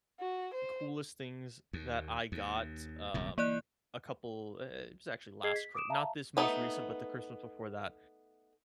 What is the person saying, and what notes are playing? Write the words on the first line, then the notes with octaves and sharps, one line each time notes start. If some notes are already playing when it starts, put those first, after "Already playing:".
coolest things that I got, um, a couple i it was actually last Chri not this most recent, but the Christmas before that,
F#4
C5
D#2
D#2
D#1 C2 G#2
E3 A#3 D5 F#6
G#4 D#5 G#6 C7
B6
D6 D#6 D7 E7
E5 F5 A5 A#5
A3 B3 D#4 B4